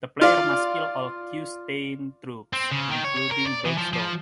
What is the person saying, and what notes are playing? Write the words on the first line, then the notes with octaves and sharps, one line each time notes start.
The player must kill all Q-Stein troops, including Bergstrom.
F4 D5
C4
C#3
D#3
C#5
C#5
A#4
D5
E3
F3
F3